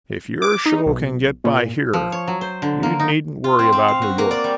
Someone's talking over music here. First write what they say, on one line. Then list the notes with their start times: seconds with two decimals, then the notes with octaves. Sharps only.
If your show can get by here you needn't worry about New York.
0.42 D6
0.66 D#4
0.86 B1
1.44 A#2
1.93 F3
2.12 C#5
2.28 F#3
2.41 C5
2.62 D3
2.83 A#3
3.00 D#4
3.44 F4
3.59 C4
3.72 C4
3.88 F5
4.02 F#4
4.18 A#3
4.31 D5
4.44 G3